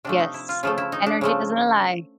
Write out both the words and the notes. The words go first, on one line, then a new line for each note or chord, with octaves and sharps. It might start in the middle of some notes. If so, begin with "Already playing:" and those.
Yes. Energy doesn't lie.
C3 F3 A3 D4
D#4
E4
F4
C#3 F3 A3 F4
E4
D#4
D4
C#3 F3 A3